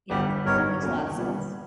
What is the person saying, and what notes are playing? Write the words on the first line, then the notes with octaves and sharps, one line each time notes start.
yeah, that that makes a lotta sense.
G1 G2 G3 B3 G4
G1 G2 G3 B3 D#4 A#4 C#5
E2 B2 A#3 C#4
A#2 G3 B3